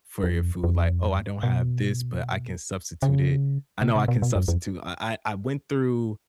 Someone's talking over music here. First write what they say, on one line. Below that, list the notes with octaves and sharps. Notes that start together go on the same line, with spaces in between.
for your food? Like, "Oh, I don't have this, but I can substitute it I know I can substitute." I I I went through
F2
F2
B2
C#3
C3
C3
B2
B2
F#2
F2